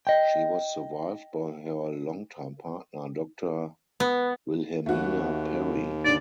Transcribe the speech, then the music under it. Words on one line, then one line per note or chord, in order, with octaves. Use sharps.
She was survived by her longtime partner, Doctor Wilhelmina Perry.
D#5 G5
B3
D#2 A3 F#4
G#2 D3 D5